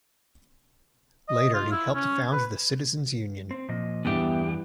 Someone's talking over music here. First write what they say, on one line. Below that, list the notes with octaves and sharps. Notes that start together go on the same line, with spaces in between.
Later he helped found the Citizens Union.
D#5
F4
E4
C#4
B4
C4
A#2 F3 D#5
E2 G2 E3 B3 D4 G4 E5